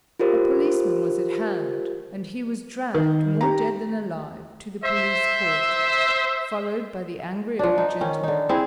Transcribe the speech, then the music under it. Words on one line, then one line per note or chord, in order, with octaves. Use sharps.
A policeman was at hand and he was dragged, more dead than alive, to the police court, followed by the angry old gentleman.
F4 G4 A#4 C5
D#3
G4 A#5
C5 E5
F3 D4
D#4
D#3 C#4
D3 D#4
C4 E4 G#4